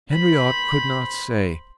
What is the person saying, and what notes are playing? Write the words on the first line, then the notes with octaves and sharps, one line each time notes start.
Henriot could not say.
C5 B5